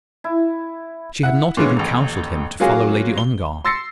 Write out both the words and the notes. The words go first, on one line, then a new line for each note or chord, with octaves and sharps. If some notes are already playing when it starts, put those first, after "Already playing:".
She had not even counselled him to follow Lady Ongar.
E4
E4 F#5
A#2 D3 E3 G#3 B3 C#4
D#1 A1
F#3 A#3 C#4 F4 F#4 G#4
G7
C6 E6 A6 A#6 C7 C#7